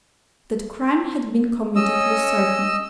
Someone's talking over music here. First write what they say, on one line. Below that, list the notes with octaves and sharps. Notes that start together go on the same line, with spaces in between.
That crime had been committed was certain.
C#4 D#5 E6